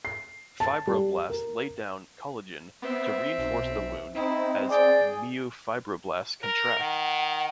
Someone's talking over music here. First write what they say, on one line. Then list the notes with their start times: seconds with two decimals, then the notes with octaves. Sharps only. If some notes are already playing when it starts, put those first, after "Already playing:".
Fibroblasts lay down collagen to reinforce the wound as myofibroblasts contract.
0.05 C7
0.60 A5
0.87 G3
1.30 A#4
2.82 B3 C4 E5
3.38 B1
4.15 C4 D#4 E4
4.70 G#4 D5 G5
6.43 A#4
6.80 D#3 F#5